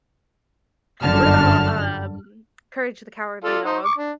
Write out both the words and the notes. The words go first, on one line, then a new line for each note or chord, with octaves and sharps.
What about, um, Courage the Cowardly Dog?
G1 F#2 D3 A5 F6
F4 A4 D5
D#4 C5
C#6 D6
D4